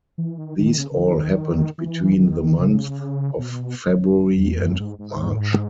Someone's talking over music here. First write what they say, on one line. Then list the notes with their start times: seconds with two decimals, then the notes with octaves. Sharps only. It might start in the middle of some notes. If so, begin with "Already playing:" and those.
These all happened between the months of February and March.
0.18 E3
0.38 D#3
0.58 D#3
0.78 C#3
0.91 C#3
0.98 D#3
1.78 E3
2.18 D#3
2.58 C#3
3.39 B2
4.19 F#2
4.39 E2
4.59 F#2
4.80 G#2
4.99 G#2
5.35 A2
5.39 G#2